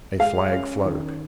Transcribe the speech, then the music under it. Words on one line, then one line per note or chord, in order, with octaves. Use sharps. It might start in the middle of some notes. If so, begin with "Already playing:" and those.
A flag fluttered.
G#3 F5
C#4
D#3